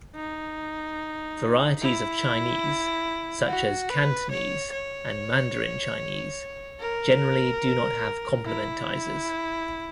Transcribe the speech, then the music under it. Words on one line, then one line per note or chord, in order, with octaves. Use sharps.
Varieties of Chinese, such as Cantonese and Mandarin Chinese, generally do not have complementizers.
D#4
E4
F#4
B4
C#5
C#5
A#4
E4